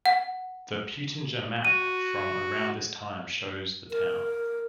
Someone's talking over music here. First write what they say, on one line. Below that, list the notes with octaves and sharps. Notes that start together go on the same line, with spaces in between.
The Peutinger Map from around this time shows the town.
F#5
F#4 D#7
A#4